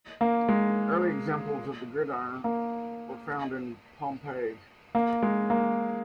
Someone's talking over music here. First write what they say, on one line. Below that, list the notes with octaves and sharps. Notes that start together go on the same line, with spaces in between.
Early examples of the gridiron were found in Pompeii.
A#3
G#3
A#3
A#3
G#3
A#3